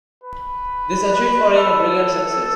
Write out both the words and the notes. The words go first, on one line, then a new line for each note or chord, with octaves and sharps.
These achieved for him a brilliant success.
B4
B4
A4